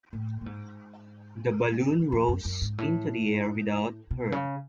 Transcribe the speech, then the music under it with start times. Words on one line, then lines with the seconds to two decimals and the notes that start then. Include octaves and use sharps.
The balloon rose into the air without her.
0.13 A2
0.41 A2
0.46 G#2
2.12 F2
2.28 F#2
2.45 F#2
2.62 G#2
2.78 A2
4.11 B2
4.32 C#3